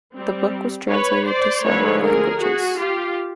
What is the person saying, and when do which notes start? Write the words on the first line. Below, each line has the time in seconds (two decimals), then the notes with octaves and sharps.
The book was translated to several languages.
0.13 G3 C4
0.89 B4 C#5
1.26 C5 D5
1.64 D3 F3 A3 B4 C#5
2.02 G#4 A#4
2.40 F#4 G#4
2.78 F4 G4